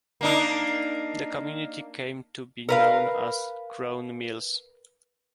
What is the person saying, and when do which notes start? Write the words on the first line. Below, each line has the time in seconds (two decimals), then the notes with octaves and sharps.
The community came to be known as Crown Mills.
0.21 A#3 D4 D#4
2.69 A#4 B4 F5